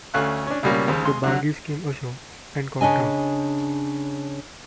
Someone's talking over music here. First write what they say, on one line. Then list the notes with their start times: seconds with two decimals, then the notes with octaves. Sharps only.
The bargees came ashore and got drunk.
0.14 D2 A3 C#4 F5 F#6
0.47 C#4 D4
0.63 C#2 B2 G3 A#3 C#4
0.88 D#2 C#3 C5
1.05 G#3 C6
1.24 D3 F#3
2.81 C#3 D4 D#5 G#5